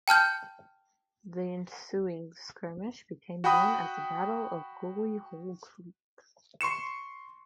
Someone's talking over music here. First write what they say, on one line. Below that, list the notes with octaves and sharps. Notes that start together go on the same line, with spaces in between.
The ensuing skirmish became known as the Battle of Gully Hole Creek.
G5 A5 F6 G6
F#4 F#5 G5 B5 D#6
C6 C#6 C#7 E7